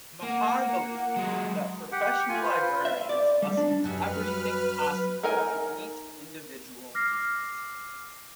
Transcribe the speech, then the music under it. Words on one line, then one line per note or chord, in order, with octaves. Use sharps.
Mahar believed that professional librarians must do everything possible to meet individual needs.
A#3 F#5
F#3 G#3
G4 F#5
F4 G#5
F4 B4 C5
E5
D5
G3
D4
F#2 F#3 G3 B4 F6
D#4 A#4 G#5
D6 F6 A#6 C7